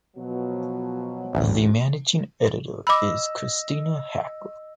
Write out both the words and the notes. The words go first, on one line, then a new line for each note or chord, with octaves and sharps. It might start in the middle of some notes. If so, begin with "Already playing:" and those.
The managing editor is Kristina Hacker.
B2 F3 F#3
A1 D2
D#5 B5 D6 E6